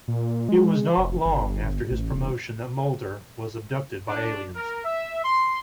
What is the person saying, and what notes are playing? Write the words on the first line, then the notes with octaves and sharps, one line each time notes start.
It was not long after his promotion that Mulder was abducted by aliens.
A#2
G#3
F1
G1
A1
E1
D4
A#4
E5
C6